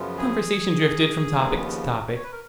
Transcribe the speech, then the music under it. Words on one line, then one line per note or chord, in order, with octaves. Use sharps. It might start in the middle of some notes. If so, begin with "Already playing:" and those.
The conversation drifted from topic to topic.
Already playing: F#2 C#3 F3 B3
G#4
D#2 C#3 F3 B3
C#5
B4
A#4